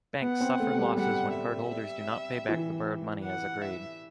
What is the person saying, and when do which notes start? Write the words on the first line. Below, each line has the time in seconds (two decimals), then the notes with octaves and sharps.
Banks suffer losses when cardholders do not pay back the borrowed money as agreed.
0.22 B3 F#5
0.40 C4
0.60 A3
0.78 G3
0.97 G3 F#5
1.35 E5
2.49 E3
3.24 F#5
3.62 E5